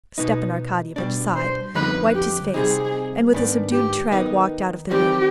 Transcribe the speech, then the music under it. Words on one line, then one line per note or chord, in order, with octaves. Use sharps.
Stepan Arkadyevitch sighed, wiped his face, and with a subdued tread walked out of the room.
B2 B3 D#4
B2 G3 D4
C5
F2 D3 G3 B3 D#4 B4
G4
C3 G3 C4 D#4 G#4
G#2 D#3 B3 D4
G4
D#3 B3 D#4
D#3 G3 C4 G4